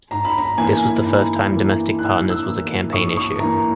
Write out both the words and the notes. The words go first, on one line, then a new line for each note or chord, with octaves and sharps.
This was the first time domestic partners was a campaign issue.
G#2 A#5
B5
A#5
E3 A#3 G#5
G#2 A#5
E3 A#3
G#2 F#6
E6
E3 A#3
G#2 C#6
C#6
E3 A#3 A#5